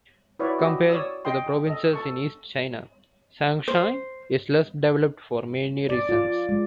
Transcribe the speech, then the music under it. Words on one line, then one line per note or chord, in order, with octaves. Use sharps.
Compared to the provinces in east China, Shanxi is less developed for many reasons.
E4 F#4 B4 C#5 D5
F#4 G4 D#5
C#5 D5 D#6 E6
D#5 G5 C6
A4 D#5
A4 A5 C#6
C5
D5
F4
G#3